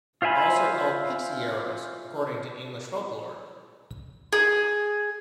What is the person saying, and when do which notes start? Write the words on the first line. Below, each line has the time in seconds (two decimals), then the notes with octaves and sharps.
Also called 'pixie arrows', according to English folklore.
0.22 F4 C5 E5 G#5 B5
4.33 G#4